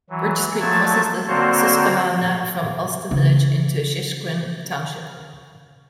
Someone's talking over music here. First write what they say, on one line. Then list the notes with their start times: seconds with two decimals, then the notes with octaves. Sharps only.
Bridge Street crosses the Susquehanna from Ulster village into Sheshequin Township.
0.10 E3 F#3
0.60 F3 F#3 A3 A5 G#6 A6
1.28 D3 A#3 C4 F#4 C5 C#5
3.11 C#3 E3